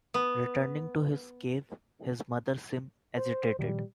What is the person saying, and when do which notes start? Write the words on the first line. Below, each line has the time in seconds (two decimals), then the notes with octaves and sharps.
Returning to his cave, his mother seems agitated.
0.14 B3
3.17 C5
3.59 A#2 D#3 F3 G3